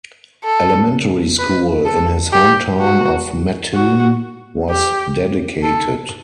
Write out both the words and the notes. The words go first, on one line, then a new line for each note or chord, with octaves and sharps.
Elementary School in his hometown of Mattoon was dedicated.
A4
B4
A4
G4
F#4
F#4
G4
A4